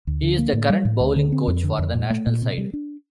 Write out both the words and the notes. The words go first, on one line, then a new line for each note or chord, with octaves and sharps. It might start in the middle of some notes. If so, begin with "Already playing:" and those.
He is the current bowling coach for the national side.
D2
D3
A#3
A2
G3
A2
D2
D3
C4
F2
D3
F2
A#2
A3
A#2
C3
G3
D4